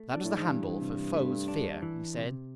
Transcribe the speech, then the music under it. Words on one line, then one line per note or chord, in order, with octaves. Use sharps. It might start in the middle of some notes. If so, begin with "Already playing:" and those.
"That is the handle for 'Foes'-fear,'" he said.
Already playing: A3
D4
A2
G#2
G2 E3
C3
A3
D4
E3
C3